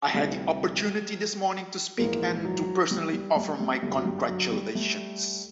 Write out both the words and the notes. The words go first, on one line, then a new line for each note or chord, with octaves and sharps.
I had the opportunity this morning to speak and to personally offer my congratulations.
D2 C3 E3 G3 A3
A#1 G#2 E3 G#3 A#3
F#3
G3
G3
G3 A3
G3 A3
G1 F#2 D3 G3 A3
F#3
G3
F#3
G3
G3 A3